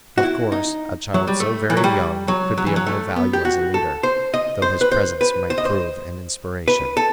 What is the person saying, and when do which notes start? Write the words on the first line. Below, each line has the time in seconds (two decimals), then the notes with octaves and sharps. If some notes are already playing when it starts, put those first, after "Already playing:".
Of course, a child so very young could be of no value as a leader, though his presence might prove an inspiration.
0.18 F#4
0.23 E4
0.52 D#4
1.14 F#3
1.27 G3
1.40 A3
1.70 E3
1.77 F#3
1.84 G3
2.28 F#3
2.57 F#3
2.66 E3
2.76 F#3
2.87 A3
3.16 B3
3.33 G4
3.45 F#4
3.74 A4
4.03 C5
4.34 D#5
4.62 C5
4.81 B4
4.92 C5
5.21 B4
5.50 C5
5.58 D#5
5.65 C5
6.68 B4
6.97 A4